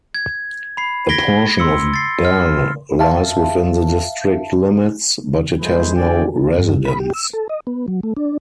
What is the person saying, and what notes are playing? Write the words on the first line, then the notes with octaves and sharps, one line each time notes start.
A portion of Bell lies within the district limits, but it has no residents.
G#6
B5 C7
G#6 A#6 B6 D7 G7
C6 E6 C#7
A6 C7
F6
E5 F5 A5
F3 G#3 A3 G#4 B4 C5
F2 D3 F#4 D5 G5 G#5
G2
B5
G4
E6
A4
D#5
B3
F#3
A3
D4